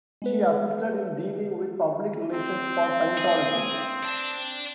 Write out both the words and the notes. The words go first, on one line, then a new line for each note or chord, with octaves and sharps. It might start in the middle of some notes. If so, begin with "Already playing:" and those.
She assisted in dealing with public relations for Scientology.
G#3 B3 B4
C4
G#4
D5 A5